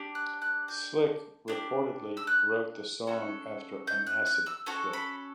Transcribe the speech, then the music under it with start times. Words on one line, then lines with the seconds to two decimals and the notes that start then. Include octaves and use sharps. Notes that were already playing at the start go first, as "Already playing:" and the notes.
Slick reportedly wrote the song after an acid trip.
Already playing: D4 G4
0.15 F#6
0.42 F#6
0.68 G6
1.48 D4 G4
2.17 E6
2.27 F#6
3.07 C#4 F#4 A4
3.87 G6
4.07 F#6
4.26 F#6
4.46 E6
4.66 C#4 F#4 A4 C#6
4.93 B5